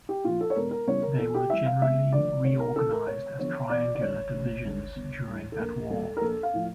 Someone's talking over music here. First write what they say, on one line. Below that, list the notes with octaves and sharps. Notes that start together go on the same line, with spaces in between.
They were generally reorganized as triangular divisions during that war.
G4
A#2 F3 F4
A4
C#5
E1 A#4
A#4
E2 C#3 E3 G3 C#5
A#4
E2 A4
G4
E3 G3 E5
F5
E1 E5
D2 D3 F3 D5
D2 C#5
A#4
C#3 E3 A4
A#4
E1 C#5
E2 D3 F3 C#5
E2 D5
D5
D3 G3 C#5
A1
G2 D3
G1
G2 E3
A4
A#1 A#4
A#2 G3 A4
A#4
A#1 A4
F5
A2 F3